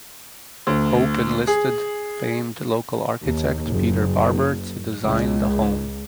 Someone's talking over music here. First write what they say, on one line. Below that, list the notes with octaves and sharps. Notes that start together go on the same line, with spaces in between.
Hope enlisted famed local architect Peter Barber to design the home.
D2
G#4
D#2
F#1
C#2